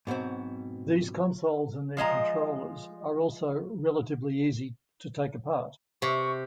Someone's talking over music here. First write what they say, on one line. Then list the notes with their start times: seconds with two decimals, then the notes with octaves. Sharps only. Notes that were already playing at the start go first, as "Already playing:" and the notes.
These consoles and their controllers are also relatively easy to take apart.
0.07 G#2 B2 F#3 C4
1.97 F3 G#3 D#5 A#5
6.02 C3 C#6